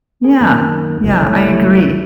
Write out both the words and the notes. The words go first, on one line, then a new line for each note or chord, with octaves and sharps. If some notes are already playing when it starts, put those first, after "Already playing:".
Yeah. Yeah, I agree.
A#3 G#4
F#2 D#3 A#3
F#1 C2 F3 A#3
A3 E4 C#5
E4